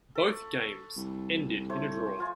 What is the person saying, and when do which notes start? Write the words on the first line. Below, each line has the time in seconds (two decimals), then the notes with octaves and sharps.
Both games ended in a draw.
0.15 A4 B5 C#6
0.97 C2
1.70 A3 C5 C#5
2.18 F3 F4 G#5